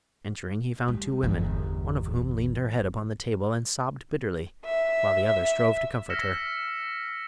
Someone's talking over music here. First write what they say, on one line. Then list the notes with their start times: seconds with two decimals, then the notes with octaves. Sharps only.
Entering he found two women, one of whom leaned her head upon the table and sobbed bitterly, while the other strove to comfort her.
0.88 G3
1.23 G1 E2
4.65 E5
6.10 E6 F6 A#6 B6 C#7 E7